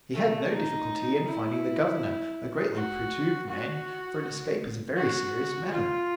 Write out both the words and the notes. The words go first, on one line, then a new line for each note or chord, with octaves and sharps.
He had no difficulty in finding the Governor, a greatly perturbed man, for an escape is a very serious matter.
A3
D#4
E4
F#4
F#4
F#4
F4